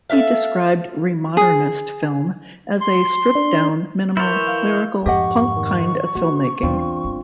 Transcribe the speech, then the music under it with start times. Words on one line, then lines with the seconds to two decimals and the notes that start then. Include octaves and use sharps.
He described Remodernist film as a "stripped down, minimal, lyrical, punk kind of filmmaking".
0.10 A4 B4 E5 F5
1.37 G#4
2.81 C6
3.35 D4
4.17 E3 E4 A#4 C#5 C6 F6 G6 A6
4.47 F5
5.06 F2 G#2 G4 D#5 F#5 C#6
5.56 D#3
6.15 A#3 F#4
6.63 E2 C4 D4 F4
7.04 G1 G2